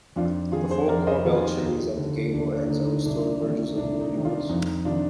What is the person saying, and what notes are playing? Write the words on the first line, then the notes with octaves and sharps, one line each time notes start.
The four corbelled chimneys at the gable-ends are restored versions of the originals.
F2 D4 F4
D#3 F4 G#4
G#4 C5
F2 A#4 D5
C5 D#5
D#3 F4 G#4
F4
D#4 G4
D#2
D3
D#2 D4
D4
D3 D#4
D#4
C2 D4
D4
C3 D#3
C2 D4
D#4
C3 D#3
D4 F4
F2 D#4
D#4
C3 D#3 D4 F4